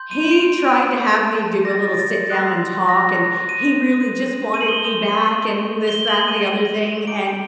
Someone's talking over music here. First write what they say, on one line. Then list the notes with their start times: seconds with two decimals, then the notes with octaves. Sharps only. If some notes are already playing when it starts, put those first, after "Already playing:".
he tried to have me do a little sit down and talk, and he really just wanted me back and this, that, and the other thing, and
Already playing: C6 G6
0.11 D#7
0.31 D7
1.65 A#6
1.70 A6
2.00 A6
2.30 C6 D#6 F#6
2.89 A#6
3.49 D#7
4.54 D#7
4.61 F#7
4.68 C6 D#6 G6 G7
5.88 G7
6.08 F#7
6.28 D#7
7.07 A#5 D6 G6 D7